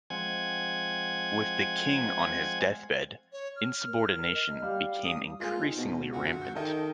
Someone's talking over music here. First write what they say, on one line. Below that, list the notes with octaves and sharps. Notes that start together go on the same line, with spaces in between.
With the king on his deathbed, insubordination became increasingly rampant.
F3 G#3 C4 F#5 G#5 G#6
C#5
F6
A#4
D#5
G3 F5
D#6
G#3 A#3 F4 G#4
C4 D#4
B2
F#1 D2 F4 F#4
G6 C#7
D#3 A4 D#5 G5